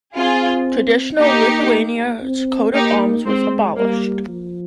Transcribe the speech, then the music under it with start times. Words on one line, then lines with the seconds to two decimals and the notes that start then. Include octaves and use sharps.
Traditional Lithuania's coat of arms was abolished.
0.16 C4 F4 G#4
1.19 A#3 D#4 G4
2.23 C4
2.74 A#3 D#4 G4
3.25 G#3 C4
3.77 G3 A#3
4.29 F3